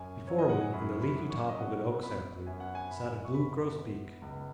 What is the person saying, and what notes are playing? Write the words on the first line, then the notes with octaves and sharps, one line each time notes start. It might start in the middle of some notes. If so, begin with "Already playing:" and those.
Before me, in the leafy top of an oak sapling, sat a blue grosbeak.
Already playing: F#2 G#5
F#3 C#5
D#5
F#5
G#5
F#2 B5
B5
F#2
C#6
D#5
B3 F#5
B3 B5
F#2 G#5
F#5
G#5
F#2 B5
C#6
B3 B5
B3
C#2